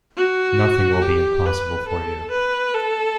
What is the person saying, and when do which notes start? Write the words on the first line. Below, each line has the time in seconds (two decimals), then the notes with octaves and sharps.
Nothing will be impossible for you.
0.17 F#4
1.02 G4
1.46 B4
1.88 A4
2.31 B4
2.74 A4